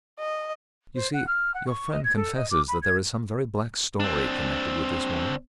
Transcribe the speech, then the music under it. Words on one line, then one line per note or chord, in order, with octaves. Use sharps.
You see, your friend confesses that there is some very black story connected with this woman.
D#5
C5
F#5
F6
F#5
C#6
D#5
G#6
A4
D#5
D6
B5
G#6
C4 D4